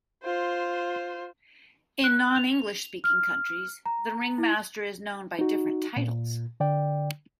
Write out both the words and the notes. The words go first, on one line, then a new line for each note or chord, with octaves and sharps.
In non-English speaking countries the ring master is known by different titles.
F4 C5
F#6
F7
F6
A#5
E4
D#4 F#4
A#2
D3 D5 G5